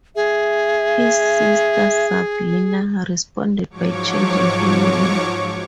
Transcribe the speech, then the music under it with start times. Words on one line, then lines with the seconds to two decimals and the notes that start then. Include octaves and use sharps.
His sister, Sabina responded by changing her name.
0.16 G#4 E5
3.70 G#2 F3 F#3 C#5 C#6 D6